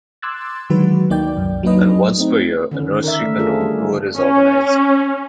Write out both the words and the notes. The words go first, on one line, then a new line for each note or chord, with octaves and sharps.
And once per year, a nursery canoe tour is organized.
C6 D6 E6 F#6 G#6 A6
D3 D#3 F#3 G#3 F#4 B4
D2 A#3 D#4 D5 G5 G6
C2 F#2
F#3 A#3 D4 D#4 B4 D#5
A3 C4 D#4
D3 D#3 C#4
A#4 D5 E5
D3 A3
D4 F4 G#4 A4
G3
C#4